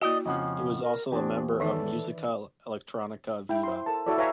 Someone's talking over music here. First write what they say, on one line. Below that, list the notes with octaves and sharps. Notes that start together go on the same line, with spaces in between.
He was also a member of Musica Elettronica Viva.
A#3 E4 F#4 D5 D#5
F2 C#3 F3 C#4 D#5 F#5
A#4
E2 D4 G4 C5
D#3 E3 D#4 A4 B4 D5 E5
E4 G5
C5 C6
A4 A#4 A5
E4 F#4 A4 C#5 D5
B4 C#5 E5 F5 G#5 A#5